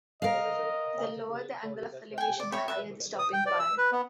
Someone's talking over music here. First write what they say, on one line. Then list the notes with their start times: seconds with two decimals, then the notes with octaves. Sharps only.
The lower the angle of elevation, the higher the stopping power.
0.22 A#4 D#5 F5
2.18 G5 G#5
2.40 D5
2.52 C#5 E5 G5 B5
2.68 B4 E5
3.19 D#6
3.33 G5
3.46 D5
3.59 E6
3.78 B4
3.92 B3